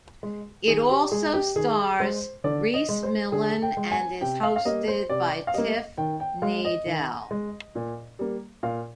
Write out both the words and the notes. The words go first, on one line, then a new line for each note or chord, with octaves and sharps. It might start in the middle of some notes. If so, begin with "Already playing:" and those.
It also stars Rhys Millen and is hosted by Tiff Needell.
G#3
D#3 G#4
G4
G#3 G#4
G4
D#3 G#4
G#3 C5
D3 D5
D#5
G#3
C5
D3 G#4
G5
G#3
G#5
C3 G5
F5
F5
G3 A#3 D#5
C5
C3 D5
F5
G3 A#3 D#5
D#3 G5
G5
G#3 F5
D#5
D#3
G#3
A#2
G3 A#3
A#2 F5